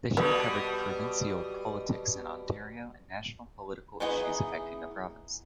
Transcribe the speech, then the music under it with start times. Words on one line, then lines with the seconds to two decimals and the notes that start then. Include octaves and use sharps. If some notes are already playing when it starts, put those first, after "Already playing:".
The show covered provincial politics in Ontario and national political issues affecting the province.
0.17 B2 G3 B3
4.00 E3 B3 D#4 G#4